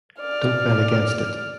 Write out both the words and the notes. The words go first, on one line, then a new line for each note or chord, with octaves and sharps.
Don't bet against it.
D5 F6